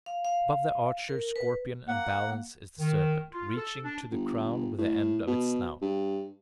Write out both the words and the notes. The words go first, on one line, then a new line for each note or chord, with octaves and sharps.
Above the Archer, Scorpion, and Balance, is the Serpent, reaching to the Crown with the end of its snout.
F5
F5
A#4
B4
A#3 F#5
D#3
F4
A4
D4
G1
A2
B2
G2